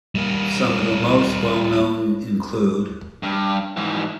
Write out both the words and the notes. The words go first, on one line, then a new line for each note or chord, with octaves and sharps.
Some of the most well known include.
G3 A#3
G2
G#2 E3